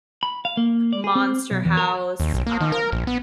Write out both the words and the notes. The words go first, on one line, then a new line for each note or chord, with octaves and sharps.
Monster House, um,
B5
F5
A#3
D5
G#4
C4
B1
E2
A#4
D#2
B1
A#3
D#3
A#4
A#1
B3